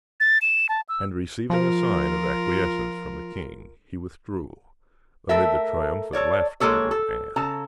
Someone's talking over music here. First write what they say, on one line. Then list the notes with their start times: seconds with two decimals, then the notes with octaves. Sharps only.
And receiving a sign of acquiescence from the king, he withdrew, amid the triumphant laughter of Anne.
0.20 A6
0.42 E7
0.69 A5
0.89 E6
1.50 F3 F4 A#4
5.29 A3 A4 A#4 E5
6.13 A4 A#4 C#5 D5
6.60 G#3 A#3 G#4 A4 C#5
6.91 A4
7.36 C#3 A4 A5 A#5